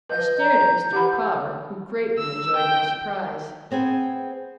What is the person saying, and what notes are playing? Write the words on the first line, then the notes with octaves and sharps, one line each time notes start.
I stared at Mr. Micawber, who greatly enjoyed my surprise.
B4 D#5 G6
A#5
G4 F#5 B5
E6
G5
B3 C4 G#4 G#5